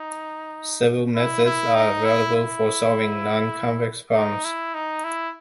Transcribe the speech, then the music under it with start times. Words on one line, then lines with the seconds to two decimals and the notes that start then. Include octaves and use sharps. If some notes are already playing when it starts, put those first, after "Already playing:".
Several methods are available for solving nonconvex problems.
Already playing: D#4
1.15 E4
1.45 E4
1.75 D#4
2.05 E4
2.35 E4
4.15 D#4
4.44 E4
4.74 D#4
5.04 E4